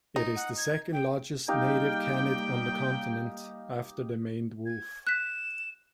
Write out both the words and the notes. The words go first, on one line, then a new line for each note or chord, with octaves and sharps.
It is the second largest native canid on the continent, after the maned wolf.
D#4
F#5
G#6
G5
G3 A#3 D#4 G4 F5 G5
G#6
F#6 B6 E7